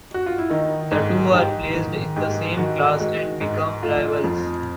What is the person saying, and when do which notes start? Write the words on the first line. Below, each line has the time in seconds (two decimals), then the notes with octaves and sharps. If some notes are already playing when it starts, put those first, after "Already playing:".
The two are placed in the same class and become rivals.
0.14 F#4
0.26 F4
0.38 E4
0.50 D#3 D#4
0.92 G#2
1.33 G#2 G4
1.74 D#3
2.16 G#2 G4
2.57 D#3 F#4
3.00 G#3 F#4
3.41 G#2
3.83 A3 F4
4.24 F2